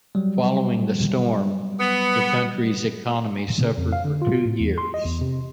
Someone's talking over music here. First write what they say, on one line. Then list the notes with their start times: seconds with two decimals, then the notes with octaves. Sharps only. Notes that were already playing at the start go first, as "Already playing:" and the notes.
Following the storm, the country's economy suffered for two years.
0.15 F#3 G3
1.80 B3
3.63 C#3
3.78 F2
3.92 F5
4.05 D3
4.22 F4
4.45 A2
4.60 E2
4.78 C6
4.94 D#5
5.06 E2
5.21 C3